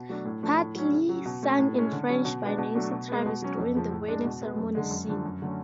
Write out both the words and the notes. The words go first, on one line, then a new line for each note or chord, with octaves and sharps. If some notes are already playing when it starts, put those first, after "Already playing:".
Partly sung in French by Nancy Travis during the wedding ceremony scene.
Already playing: B2
F#3 A3 D4
A2
F3 A3 D4
A2
F#3 C#4
C#3
F#3 C#4
B2
A3 C#4
A2
G#3 C#4
D3
F#3 C#4
B2
G#3 B3 D4
B2
F#3 A3 D4
B2
G#3 B3
B2
F#3 C#4
F2
C#3 F3
A2
G#3 D4
B2
G#3 B3
F#2
D3 G#3
F#2
D3 F3 A3 D4
F#2
D3 F#3 A3 C#4